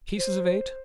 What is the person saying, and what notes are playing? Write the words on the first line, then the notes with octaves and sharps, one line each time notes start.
Pieces of eight!
C5